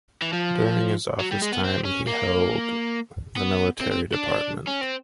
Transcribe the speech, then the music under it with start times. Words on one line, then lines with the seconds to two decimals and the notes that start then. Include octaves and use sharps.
During his office time he held the Military Department.
0.22 E3
0.33 F3
1.20 F#3
1.31 G3
1.42 G#3
1.52 B3
1.64 C4
1.85 C#4
2.07 A#3
3.37 B3
3.81 C4
3.91 C4
4.13 D4
4.67 C#4
4.82 C4